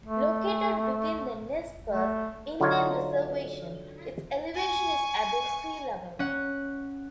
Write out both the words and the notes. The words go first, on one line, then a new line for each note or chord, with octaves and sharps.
Located within the Nez Perce Indian Reservation, its elevation is above sea level.
A3
A3
D3 F#3 D#4 F4 C#5
G#5 C#6
C#4 F#5